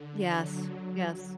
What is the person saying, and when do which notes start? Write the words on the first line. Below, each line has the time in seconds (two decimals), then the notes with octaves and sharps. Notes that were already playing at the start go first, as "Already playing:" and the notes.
Yes, yes.
Already playing: D3
0.21 F#3
0.75 F#3